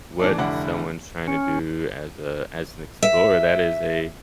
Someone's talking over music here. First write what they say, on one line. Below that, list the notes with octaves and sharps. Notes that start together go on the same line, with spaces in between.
what someone's trying to do as a as an explorer, that is a
E3 A3 D4
F1 D3 D4 E4 F#5
C#4
E5